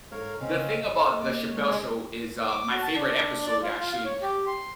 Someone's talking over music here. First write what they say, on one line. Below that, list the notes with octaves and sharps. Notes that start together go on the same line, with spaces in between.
the thing about the Chappelle Show is, uh, my favorite episode actually,
G#2 A4 A#4 C#5 F5
C#3 C4 C#4 D#5 F5
G1 A4
A#3 D5 D6
G#3 C#5
D6
F#4
A5
D4
D5
F4
F4
F5
C#5
G4
C6